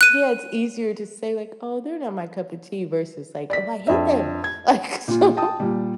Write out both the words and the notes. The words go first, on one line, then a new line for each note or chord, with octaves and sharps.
yeah, it's easier to say, like, "Oh, they're not my cup of tea." versus, like, "Oh, I hate them!" Like, so
F#6 D#7
D5 B6
F2 D4 E5
G#6
A#2 F4
G5 A5 D#6
A#2 G3